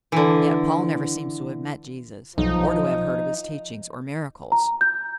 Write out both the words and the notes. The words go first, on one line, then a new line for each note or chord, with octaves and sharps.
Yet Paul never seems to have met Jesus, or to have heard of his teachings or miracles.
D3 E3
B1 F3 D#4
A#5
G6